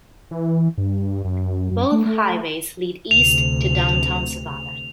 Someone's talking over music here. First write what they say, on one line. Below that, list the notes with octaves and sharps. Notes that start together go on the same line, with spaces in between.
Both highways lead east to downtown Savannah.
E3
G2
F#2
F#2
A3
A3
D2 C3 F7